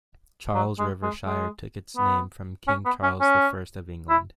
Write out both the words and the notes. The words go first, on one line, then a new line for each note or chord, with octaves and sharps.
Charles River Shire took its name from King Charles the First of England.
F#3
G#3
G#3
G#3
B3
C#4
B3
C#4
C#4
E4